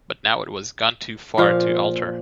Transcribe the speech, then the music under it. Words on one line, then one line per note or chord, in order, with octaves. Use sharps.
But now it was gone too far to alter.
A#2 F3 F5